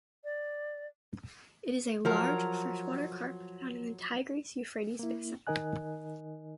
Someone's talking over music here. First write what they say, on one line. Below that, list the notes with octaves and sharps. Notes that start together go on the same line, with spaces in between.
It is a large freshwater carp found in the Tigris-Euphrates Basin.
D5
F3 F#3 A#4
A#3 E4
D#3 D#4 A#4 D#5 G#5 F#6